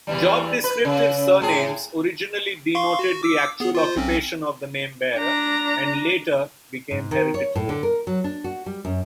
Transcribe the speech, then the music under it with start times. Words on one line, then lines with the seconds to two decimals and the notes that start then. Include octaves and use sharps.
Job-descriptive surnames originally denoted the actual occupation of the namebearer, and later became hereditary.
0.07 E2 E3 G3
0.64 B4
0.85 C#3
1.42 A2 G#4
2.75 F5 C6 C#6
2.99 F#4
3.23 D6 E6
3.60 B3 G#4
3.75 F4 C5
3.96 B1 C4 C#4
5.16 D4 A#5
6.91 G#2
7.11 D#3
7.34 C#5
7.56 A2
7.69 D3
7.83 A#4
8.07 F#3
8.24 D4
8.44 F#4
8.66 G3
8.85 F#2